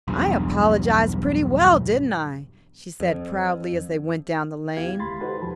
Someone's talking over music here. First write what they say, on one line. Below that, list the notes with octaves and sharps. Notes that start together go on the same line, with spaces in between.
"I apologized pretty well, didn't I?" she said proudly as they went down the lane.
B1 E2 G2
F2
D#2 B3 E4 G4 F5 G#6
D2 G#3 B5 C6 A6
D#4 F#4 G4 A4 B4 C5
E2 F3 A5 B5